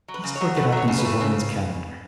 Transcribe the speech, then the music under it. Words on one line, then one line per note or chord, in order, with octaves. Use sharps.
I must look it up in Suvorin's calendar.
F#3
B4
C#3
C#5
F#3
A3 B4
F#3 C#5
C#3
B4
A3
C#3